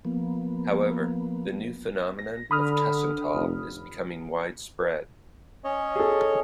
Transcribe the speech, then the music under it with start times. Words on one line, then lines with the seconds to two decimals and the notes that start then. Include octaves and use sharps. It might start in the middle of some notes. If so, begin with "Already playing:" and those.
However, the new phenomenon of tussentaal is becoming widespread.
0.05 F3 A#3 B3
2.19 A#6
2.51 D3 B5 D#6 F6
3.33 F1
5.64 C#4 C#5 D#5
5.96 G#4 A4